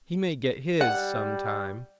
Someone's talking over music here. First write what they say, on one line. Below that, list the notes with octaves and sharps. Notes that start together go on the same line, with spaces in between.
"He may get his some time."
G3 F#5